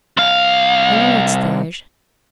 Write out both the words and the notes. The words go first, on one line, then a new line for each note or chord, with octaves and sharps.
I know what's there.
C2 F5